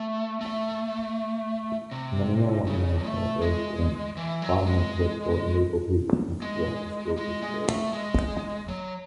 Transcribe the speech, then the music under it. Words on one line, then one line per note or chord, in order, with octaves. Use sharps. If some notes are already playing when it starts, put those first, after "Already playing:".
Many alumni served in prominent political and legal positions throughout the school's history.
Already playing: A3
A3
C3
C#3
A3
G#3
E3
F#3
F#3
G#3
G#3
G#3
G#3
A3
G#3
F#3